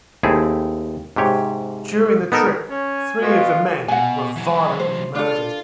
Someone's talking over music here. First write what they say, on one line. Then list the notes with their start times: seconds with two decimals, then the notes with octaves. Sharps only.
During the trip, three of the men were violently murdered.
0.23 D#2 A3 C4 E4 G#4
1.16 G#2 C3 G4 C#5
2.32 B3 D#4 A4 A#4
2.70 C#4 G#5
3.21 B2 F4
3.88 B2 F#5 G#5
4.36 E3 F#3
4.80 C5
5.15 D4 F4 A4